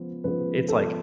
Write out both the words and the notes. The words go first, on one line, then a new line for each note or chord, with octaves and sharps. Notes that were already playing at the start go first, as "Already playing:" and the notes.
it's, like,
Already playing: C#3 F3 G#3 B3
C#3 F3 G#3 B3 B4
A4